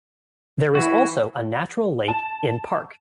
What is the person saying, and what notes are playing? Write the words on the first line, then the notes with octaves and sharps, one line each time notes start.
There is also a natural lake in park.
E3 E4 F#4
A5